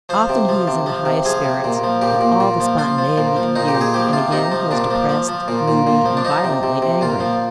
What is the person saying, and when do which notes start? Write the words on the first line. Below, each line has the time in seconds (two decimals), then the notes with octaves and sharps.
Often he is in the highest spirits, with all the spontaneity of youth, and again he is depressed, moody, and violently angry.
0.09 F3 C5
0.29 C3
0.49 F3
0.67 C3
0.86 F3
1.05 C3
1.25 F3 G#4
1.44 C3
1.64 A#2
1.83 F3
2.01 A#2 G4
2.21 A#2
2.40 A#2
2.60 F3
2.78 F3 F4
2.98 F3
3.18 A#2
3.36 F3
3.56 A#2 D#4
3.68 G4
3.75 A#2
3.81 G#4
3.94 F3 G4
4.13 C3 F4
4.32 C3 D#4
4.51 F3
4.71 A#2 D4
4.90 F3
5.09 F3
5.28 F3
5.48 A#2
5.68 A#2
5.87 A#2
6.05 F3
6.17 D4
6.25 F3 D#4
6.44 C3
6.63 C3
6.82 C3
7.01 A#2 F4
7.20 F3